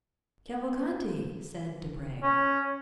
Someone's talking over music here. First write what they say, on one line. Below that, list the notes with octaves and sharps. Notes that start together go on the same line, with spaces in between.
"Cavalcanti!" said Debray.
C#4